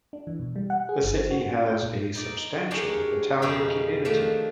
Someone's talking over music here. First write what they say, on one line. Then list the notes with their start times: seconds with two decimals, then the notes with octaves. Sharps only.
The city has a substantial Italian community.
0.13 D4
0.27 E3
0.39 B2
0.56 G3
0.70 F#5
0.89 G#4
1.03 G1
1.17 C5
1.31 F#4
1.43 F#4
1.68 G6
1.83 A#2
2.15 D#4 D5
2.71 D4 G4 G#4 A#4 C#5
3.42 F2 B2 D#4 G4 G#4 G5
4.05 D#3 F3 A3 D4